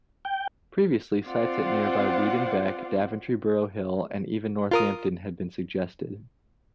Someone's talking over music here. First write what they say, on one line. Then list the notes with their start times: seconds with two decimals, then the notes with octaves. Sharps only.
Previously, sites at near-by Weedon Bec, Daventry-Borough Hill and even Northampton had been suggested.
0.25 G5
1.25 C4 F4 C5 D5 F#5
4.71 F4 A#4 D#6